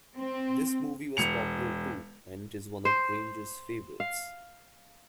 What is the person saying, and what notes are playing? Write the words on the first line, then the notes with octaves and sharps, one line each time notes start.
This movie was popular too, and it is one of Granger's favourites.
C4
E1 C#7 F7
C5
F5